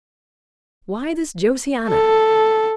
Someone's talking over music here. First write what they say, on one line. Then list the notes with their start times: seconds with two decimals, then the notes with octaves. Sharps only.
Why this Josiana?
1.89 A4